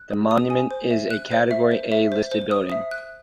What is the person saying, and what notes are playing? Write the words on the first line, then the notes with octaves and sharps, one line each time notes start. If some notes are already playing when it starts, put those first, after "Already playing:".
The monument is a category A listed building.
Already playing: F#6
G#4
D#6
G#5
C5
E5
F#6
C5
E5
C5
E5
C5
C5
D#6
E5
F#6